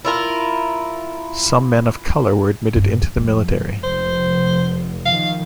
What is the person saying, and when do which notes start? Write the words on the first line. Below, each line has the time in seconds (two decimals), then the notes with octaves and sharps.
Some men of color were admitted into the military.
0.05 E4 F4 A#4
2.76 G2
3.16 F2 G#3
3.83 F1 F3 C5
5.05 D#3 F3 F5